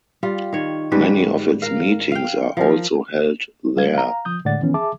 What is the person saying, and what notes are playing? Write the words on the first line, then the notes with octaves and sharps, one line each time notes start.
Many of its meetings are also held there.
G3 F4
D#3 C#5
G#2 G3 B4
A#4 F5
F5 G5
F3 A#4
G3 F5 G#6
F5 A#5
F3 D#6 G6
A2 D3 G#3 D5 F#5 A6
D#3 E3 B3 C#4
G#4 E5 A5 D6